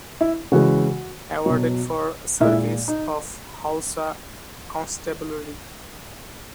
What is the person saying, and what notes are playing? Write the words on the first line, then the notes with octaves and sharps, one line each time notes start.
Awarded for service of Hausa Constabulary.
E4
C#3 E3 G#3 F#4
B2 F#3
A#2 G#3 E4
D#4